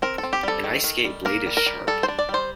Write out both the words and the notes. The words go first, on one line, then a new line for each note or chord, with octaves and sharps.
An ice skate blade is sharp.
C4 A#4
A4
C4
G4
G3 A4
D#3
D#3
G3
A#3 A#4
G3
A#4
G3
G3 A4
C5
D4
D5
G3
C5